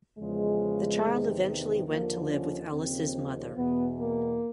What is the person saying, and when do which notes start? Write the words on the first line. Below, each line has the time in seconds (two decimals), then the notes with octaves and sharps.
The child eventually went to live with Ellis's mother.
0.18 E2 C#3 F3 G#3
1.02 E2 C3 D#3
1.87 D#2 D3 F3 A#3
2.29 C#4
2.71 D#2 C#3 F3 C4
3.55 E2 B2 B3
3.97 A#3